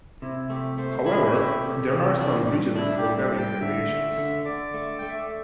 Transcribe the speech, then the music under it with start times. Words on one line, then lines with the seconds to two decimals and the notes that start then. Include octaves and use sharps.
However, there are some regional programming variations.
0.22 C3 E4
0.50 A3 G4
0.78 A3 C5
1.06 E4 G4
1.35 A3
1.63 C3
1.92 E3
2.19 D4
2.48 G3
2.76 D4 E4
2.97 G4
3.05 G3
3.18 G4
3.33 G3 A5
3.39 G5
3.61 D3 E5
3.90 A3
4.17 D3
4.45 D3 D5
4.74 A3
4.98 A3 G5
5.09 E5
5.19 D5